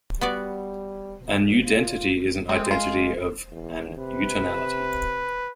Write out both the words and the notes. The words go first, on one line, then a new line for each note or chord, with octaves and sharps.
"An udentity is an identity of an utonality".
G3 B3 F#4 D5
F4
G#3 C4
F4
E2
C3 B4